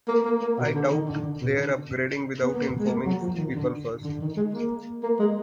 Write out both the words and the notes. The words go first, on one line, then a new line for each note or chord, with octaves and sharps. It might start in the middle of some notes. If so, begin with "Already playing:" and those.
I doubt they're upgrading without informing people first.
A#3
A#3
A#3
B2
D3
D#3
D3
D3
B2
D3
B3
A#3
G#3
A#3
F#3
F3
D#3
D3
D3
D#3
G#3
A#3
A#3
G#3